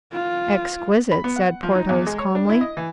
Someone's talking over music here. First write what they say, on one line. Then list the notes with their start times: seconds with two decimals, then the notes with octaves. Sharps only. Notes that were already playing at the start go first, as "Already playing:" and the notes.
"Exquisite," said Porthos, calmly.
0.13 F4
1.11 B5
1.24 B3
1.36 F#5
1.63 F3
1.75 D#4
1.89 E2
2.07 G#3
2.19 C#5
2.35 D4
2.49 E4
2.61 D#5
2.77 E3